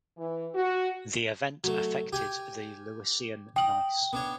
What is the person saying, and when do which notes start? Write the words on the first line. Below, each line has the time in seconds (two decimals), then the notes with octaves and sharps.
The event affected the Lewisian gneiss.
0.17 E3
0.54 F#4
1.64 F#3 A3
2.12 G4 G#5
3.56 D#5 G5 F#7
4.13 B3 D4 C#5